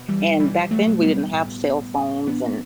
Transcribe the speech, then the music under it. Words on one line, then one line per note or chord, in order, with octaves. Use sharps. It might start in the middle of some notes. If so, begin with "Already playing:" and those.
And back then, we didn't have cell phones and,
Already playing: B2
E3 G3
B2 E3 G3
F#3 A3
B2
G3 B3
A2
A2
E3 B3 D4